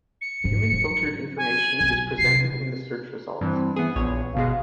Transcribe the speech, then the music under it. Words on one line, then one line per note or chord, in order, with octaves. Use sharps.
Human filtered information is presented in the search results.
C#7
G#2 F3
F3 F#3
G#5
B1
C3 F#3 C7
G2 E3 C4
E3 B3 G#4
A#1 B3 C#5
G1 B2 G#3 F5